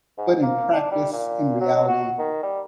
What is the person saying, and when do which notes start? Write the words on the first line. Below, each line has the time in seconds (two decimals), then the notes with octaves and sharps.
but in practice, in reality,
0.18 G#2
0.43 A#3
0.72 D4
0.91 G3
1.12 A#2
1.61 F#3
1.88 F#4
2.18 D#3
2.43 G3